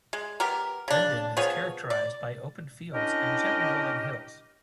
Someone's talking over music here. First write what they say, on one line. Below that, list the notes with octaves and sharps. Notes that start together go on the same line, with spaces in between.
Linden is characterized by open fields and gently rolling hills.
G#3
B3 G4 A#4
C#3 D4
F3 B3 G#4 C#5
D5
C#4 D4 E4 G4 A#4 D#5